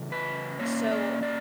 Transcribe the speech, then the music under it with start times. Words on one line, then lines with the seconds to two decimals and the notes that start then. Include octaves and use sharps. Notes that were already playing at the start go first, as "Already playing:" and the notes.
so, uh,
Already playing: E2 C#3
0.12 B4
0.59 A#2 A#3 C#4 C#5
0.91 D5
1.23 D5